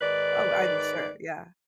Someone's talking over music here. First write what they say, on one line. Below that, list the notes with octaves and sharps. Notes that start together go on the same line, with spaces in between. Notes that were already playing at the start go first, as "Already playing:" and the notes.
Oh, I'm sure, yeah.
G#2 D#3 B4 D5